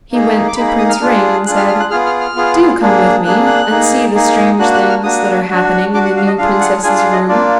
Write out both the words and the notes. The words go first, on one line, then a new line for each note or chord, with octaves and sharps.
He went to Prince Ring and said: 'Do come with me and see the strange things that are happening in the new princess's room.'
A#3 D#4 G#4
D6
A#3 D#4 G#4 B5
B5
D#6
F6
D4 F4 G#4
D4 F4 G#4 F#6
F6
F6
F#6
B3 F4 G#4 F6
F6
F6
B3 F4 G#4
A#3 D4 G#4
A#3 D4 G#4 F#6
F#6
A#3 D#4 G#4
A#3 D#4 G#4
A#3 D4 F#4 F#6
F#6
F6
A#3 D4 F#4 D#6
D4 F#4
D4 F#4 D6
F#5
F5
D#5
D4 F4 G#4 F5
F#5
D4 F4 G#4 G#5
F5
D#5
A#3 D4 F4 D5